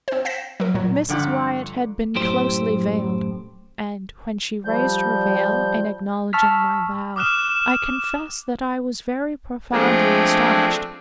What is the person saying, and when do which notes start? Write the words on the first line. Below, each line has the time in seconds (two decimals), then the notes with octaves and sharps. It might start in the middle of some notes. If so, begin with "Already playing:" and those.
Mrs. Wyatt had been closely veiled; and when she raised her veil, in acknowledging my bow, I confess that I was very profoundly astonished.
0.08 C4 C5
0.25 F5 G5 G6 A#6 B6 E7
0.60 F#3 A#4
0.74 A#2 F#3
1.09 G2 D3 F3 F#5 A#5
2.15 F#2 A2 G4 C5
4.65 F3 G3 G6
6.33 A5 C#6 E6 F6 B6
7.16 D6 D#6 F6 F#6 E7
9.72 F3 G#3 A3 C4 D4